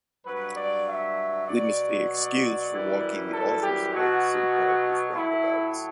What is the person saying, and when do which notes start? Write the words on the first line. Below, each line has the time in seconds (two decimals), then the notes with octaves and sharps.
We must be excused for walking the author's pace in all his roundabouts.
0.25 G2 F#3 B4
0.55 D5
0.87 E5
1.48 B2 F#3 D5
2.09 D5
2.71 F#2 E3 G3
3.32 A4
3.62 G4
3.92 B2 F#3 F#4
5.14 A2 F#3 E4